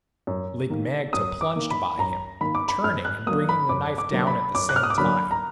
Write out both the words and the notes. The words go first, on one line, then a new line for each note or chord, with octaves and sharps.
Lig-magte plunged by him, turning and bringing the knife down at the same time.
F#2
D#3 A#3
F#2 D#6
D6
D#3 A#3
B5
F#2 A#5
D#3 A#3 B5
D6
B5
F#2 F6
F#6
D3 F#3 A#3 D#6
B5
F#2 D6
D6
D3 F#3 A#3
B5
F#2 D6
F#6
F6
D#6
D6
D3 F#3 A#3 B5
A#5